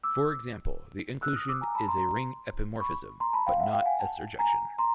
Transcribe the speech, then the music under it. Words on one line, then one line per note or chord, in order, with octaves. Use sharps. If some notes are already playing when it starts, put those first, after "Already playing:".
For example, the inclusion is a ring epimorphism, but not a surjection.
D6 E6
E6 F#6
D#6 F6
D6 E6
G#5 A#5
A5 B5
A#5 C6
B5 C#6
A#5 C6
A5 B5
F5 G5
E5 F#5
F5 G5
F#5 G#5
G5 A5
G#5 A#5
A#5 C6